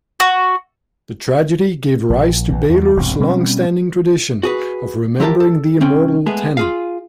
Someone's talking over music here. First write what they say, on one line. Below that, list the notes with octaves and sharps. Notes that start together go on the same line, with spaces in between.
The tragedy gave rise to Baylor's longstanding tradition of remembering The Immortal Ten.
F#4
A#1
A#1 E3
E2
E1 C2 G2 B2
B2 G3 C4 C#4
F#4 G#4 B4
F3 E4 G4 A#4 G5 A5
A4
C2 C4 C#4 G5
G#3 A3 B3 G#4
F4 G#4 F5